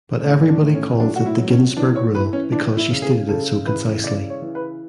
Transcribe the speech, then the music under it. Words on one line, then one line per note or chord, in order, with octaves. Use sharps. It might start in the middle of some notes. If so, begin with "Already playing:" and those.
But everybody calls it the Ginsburg rule because she stated it so concisely.
A2 D4
D4
A2
C#4
F#3 D4
F#4
E4
F#3
C#4
E3 D4
C#5
E3 B4
C#4
E3 D4
E4
C#3
G#4
C#3 A4
E3 B4
C#3 D5
C#5
E3
B4